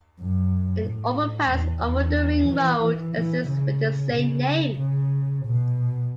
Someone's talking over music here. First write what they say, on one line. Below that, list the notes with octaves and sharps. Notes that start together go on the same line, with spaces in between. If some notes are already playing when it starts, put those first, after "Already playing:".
An overpass over the ring road exists with the same name.
F#2
A2
E2
E2
E3
E3
C#3
C#3
C#3
B2